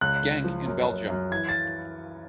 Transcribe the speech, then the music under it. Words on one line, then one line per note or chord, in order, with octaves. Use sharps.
Genk in Belgium.
C#2 F#6
C#2
F3
F#2
F#2
F#2
E3 G#6
A6